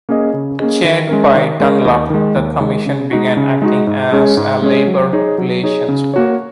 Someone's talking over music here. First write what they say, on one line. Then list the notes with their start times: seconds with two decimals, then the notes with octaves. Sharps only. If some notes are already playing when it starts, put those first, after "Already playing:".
Chaired by Dunlop, the commission began acting as a labor relations board.
0.09 A#3 C#4 G#4 D#5
0.34 C#3
0.59 A#3 C#4 G#4 D#5
0.84 D#3
1.09 G#3 C#4 A#4
1.34 D#3
1.60 G#3 C#4 A#4
1.85 D#2
2.10 D#3 G#3
2.35 D#2
2.61 D#3 G#3
2.86 C#3
3.11 G#3 D#4 F#4
3.37 C#3
3.62 G#3 D#4 F#4
3.87 G#2
4.12 G#3 C#4 G#4 C#5
4.37 G#2
4.62 G#3 C#4 G#4 C#5
4.87 F#3
5.13 D#4 G#4 C#5
5.38 F#3
5.64 D#4 G#4 C#5
5.88 C#3
6.14 A#3 F#4 C#5